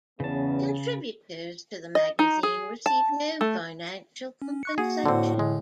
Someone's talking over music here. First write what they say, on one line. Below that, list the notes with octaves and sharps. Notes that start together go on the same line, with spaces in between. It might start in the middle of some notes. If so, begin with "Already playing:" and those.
Contributors to the magazine receive no financial compensation.
E2 C#3 B3 C#4 A5
D#5
D#4
G#4
A5
A3
C#4
C#6 F#6 C#7
A#3 F#4 G#4 F#5
A2 D3 C4
D3 G#3